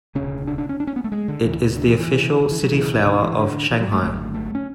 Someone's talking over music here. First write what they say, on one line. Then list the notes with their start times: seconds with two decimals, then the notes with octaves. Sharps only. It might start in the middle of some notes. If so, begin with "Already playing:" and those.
It is the official city flower of Shanghai.
0.15 E1 D2 C#3 C#4
0.47 D4
0.58 D4
0.69 C#4
0.80 D4
0.87 C#4
0.96 B3
1.04 A3
1.12 G#3
1.28 D3
1.44 D2 C#3 E3
1.77 D3
1.88 E3
1.98 E3
2.40 D3
2.51 E3
2.63 F#3
2.73 C#2 B2 E3
3.05 D3
3.21 E3
3.38 D3
3.71 E3
3.80 F#3
3.91 A3
4.02 G#1 F#2 D3 A3
4.34 A3
4.55 C#4